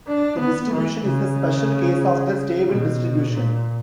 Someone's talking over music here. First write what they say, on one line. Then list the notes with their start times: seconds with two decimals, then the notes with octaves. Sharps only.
The distribution is a special case of the stable distribution.
0.08 D4
0.40 B3
0.73 E3
1.06 C#3
2.68 B2
3.33 A#2